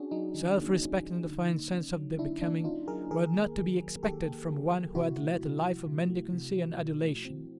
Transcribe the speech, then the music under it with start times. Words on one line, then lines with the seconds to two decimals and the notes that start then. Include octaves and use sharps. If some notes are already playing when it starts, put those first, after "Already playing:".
Selfrespect and a fine sense of the becoming were not to be expected from one who had led a life of mendicancy and adulation.
Already playing: C#4 D4 F#4 G#4
0.11 F#3 D#4
0.34 D#3
0.58 A#3
0.81 C#4
1.04 F#3
1.27 D3
1.50 A#3
1.72 C#4
1.96 F#3
2.19 D3 D4 E4
2.41 A#3 D4 E4
2.64 C#4 D#4 F4
2.87 F#3 G#4 A#4
3.11 D#3 G#4 A#4
3.34 A#3
3.57 D#3
3.80 F#3
4.03 D#3 G4 A4
4.26 A#3
4.49 D#3
4.72 F#3
4.95 C3 E4 F#4
5.18 A3
5.40 C3
5.64 F3
5.87 C3
6.10 A3
6.33 C3
6.56 F3
6.79 B2
7.01 A3
7.25 C4